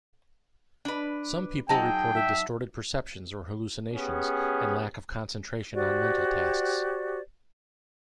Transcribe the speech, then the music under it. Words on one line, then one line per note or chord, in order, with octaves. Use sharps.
Some people reported distorted perceptions or hallucinations and lack of concentration on mental tasks.
D4 B4
F#3 D#4 G#4 G5 A5
E5
B3 C#4 G4 G#4
F#4 G4 C5 D5